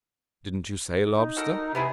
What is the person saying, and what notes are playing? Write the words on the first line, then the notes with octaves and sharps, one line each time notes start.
"Didn't you say lobster?"
D#4
F#4 A4 A#4
C3 B3 E4 G#4